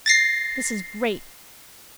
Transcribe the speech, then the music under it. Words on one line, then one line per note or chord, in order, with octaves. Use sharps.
This is great.
A6 A#6 C7